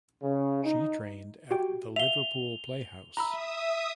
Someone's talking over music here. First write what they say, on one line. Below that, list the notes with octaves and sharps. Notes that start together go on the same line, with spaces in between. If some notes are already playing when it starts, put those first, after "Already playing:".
She trained at the Liverpool Playhouse.
C#3
D#4
F#4 G4 G5
E5 F5 F7 G7
E5 A#5 B5 D#6 E6